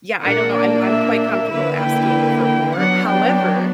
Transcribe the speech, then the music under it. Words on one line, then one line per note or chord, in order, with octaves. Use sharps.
Yeah, I don't know, I'm I'm quite comfortable asking for more, however,
A#2 A#3 D4 F#5
D5
E5
E5
D3 A#3 E4 B4
G5
G5
F#3 B3 D4 F#5
G5